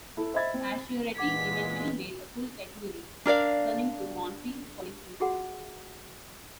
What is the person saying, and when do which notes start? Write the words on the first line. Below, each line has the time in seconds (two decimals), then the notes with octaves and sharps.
Pacioretty eventually made a full recovery, returning to Montreal the following season.
0.17 E4 A4
0.34 C5 D#5 E5 B5 G#6 A6
0.54 C4
1.17 A#2 E3 G#3 F#5 D6 G#6 B6
3.26 D4 A#4 D5 F5
5.20 F4 F#4 G#4 F#5